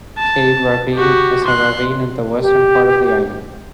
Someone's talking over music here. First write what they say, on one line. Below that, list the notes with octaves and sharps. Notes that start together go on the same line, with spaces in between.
Cave Ravine is a ravine in the western part of the island.
A5
F#4 G4
C6 F#6
G4